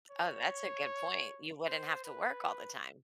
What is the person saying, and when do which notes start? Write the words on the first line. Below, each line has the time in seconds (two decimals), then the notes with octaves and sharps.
Oh, that's a good point. You wouldn't have to work all the time.
0.11 C#5
1.66 C5
2.04 B4